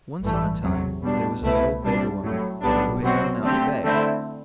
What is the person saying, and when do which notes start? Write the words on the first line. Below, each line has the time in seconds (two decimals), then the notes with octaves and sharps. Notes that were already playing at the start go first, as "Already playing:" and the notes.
Once on a time there was an old beggar-woman, who had gone out to beg.
0.21 A1 G2 E3 A3
0.61 E2 C3 F#3
1.02 B2 G3 D4
1.42 C2 B2 A3 E4 B4
1.83 C3 G3 D4
2.22 A2 F#3 A3
2.62 B1 A2 G3 B3 D4
3.02 B2 F#3 C4 F#4 C5
3.42 D3 A3 C4 G4
3.83 D3 A3 C4 E4